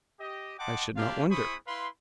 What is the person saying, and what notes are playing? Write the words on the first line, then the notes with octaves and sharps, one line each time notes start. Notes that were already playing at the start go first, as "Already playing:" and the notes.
I should not wonder.
G4 D#5
D#5 F#5 G5 A5 C6 D6
A#3 D4 F4 G4 F5
E4 G#4 C5 B5 C#6 D#6
E4 B4 F5 C6